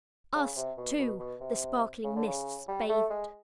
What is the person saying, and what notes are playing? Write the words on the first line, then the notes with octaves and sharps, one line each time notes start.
Us, too, the sparkling mists bathed.
C#3
C3
B2
B2
B2
C3
C#3
D3
C#3
G3
A3
G#3